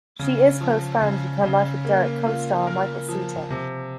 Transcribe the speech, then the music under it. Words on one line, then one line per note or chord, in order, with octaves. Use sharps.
She is close friends with her "Life with Derek" co-star, Michael Seater.
C#3
F3
C#3
C#3
A#3
F4
A#4
F3
C3